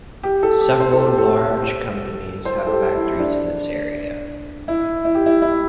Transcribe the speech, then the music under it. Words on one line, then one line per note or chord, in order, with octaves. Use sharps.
Several large companies have factories in this area.
G4
A4
G4
C5
A4
G4
A4
C5
A4
G4
E4
D4
E4
E4
G4
E4
E4